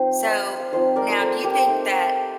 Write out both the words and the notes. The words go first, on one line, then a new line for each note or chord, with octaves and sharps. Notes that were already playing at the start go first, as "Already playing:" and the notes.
So, now, do you think that
Already playing: F3 C4 D#4 C5
C5 D#5
F5
F3 C4 D#4 C5 D#5
A#4 D5
A#4
A4 C5
G4 A#4
A3 D#4